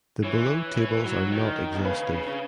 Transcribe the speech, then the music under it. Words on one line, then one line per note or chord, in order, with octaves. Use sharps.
The below tables are not exhaustive.
E3 C#5
E3 C#5
F#3
D#3
B2
C#3 B4
C#3
C#3